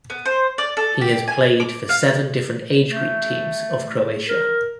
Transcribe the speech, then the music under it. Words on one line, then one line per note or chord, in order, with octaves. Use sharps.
He has played for seven different age group teams of Croatia.
B3
C5
D5
A4
G4
G#5
D6
F5
A3
A#4